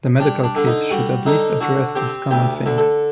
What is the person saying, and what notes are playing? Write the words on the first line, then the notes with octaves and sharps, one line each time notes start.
The medical kit should at least address these common things.
G3 D4
D4
D3
D#4
G3 F#4
D3 D#4
D3 F#4
C4 G4
D2 G4
D3
A4